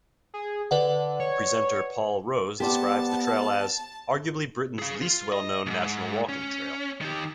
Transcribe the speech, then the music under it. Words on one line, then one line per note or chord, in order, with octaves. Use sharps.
Presenter Paul Rose describes the trail as "arguably Britain's least well-known national walking trail".
G#4
D3 B4 D5 F#5
C#5
B3 G4 C5 D5 A5
G#4 F5
F4
D#5
C#2 G#2
C#4
D#3 G4